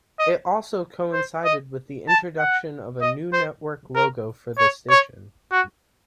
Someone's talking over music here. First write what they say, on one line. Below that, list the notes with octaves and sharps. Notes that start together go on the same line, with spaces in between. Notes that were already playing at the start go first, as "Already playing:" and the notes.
It also coincided with the introduction of a new network logo for the station.
D#5
C5
D#5
A5
F#5
D#5
C5
A#4
C#5
C#5
F#4